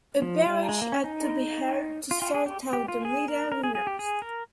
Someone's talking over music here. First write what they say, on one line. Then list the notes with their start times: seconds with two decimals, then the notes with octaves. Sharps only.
A barrage had to be held to sort out the medal winners.
0.22 F3
0.46 G3
0.69 G#3
0.82 A#3
0.92 C#4
1.04 D#4
2.11 F4
2.22 F4
2.34 G#4
2.46 G4
2.73 G4
2.88 F4
3.05 G#4
3.28 A#4
3.52 A#4
3.64 G#4
3.75 G#4
3.87 G4
3.99 G#4
4.22 A#4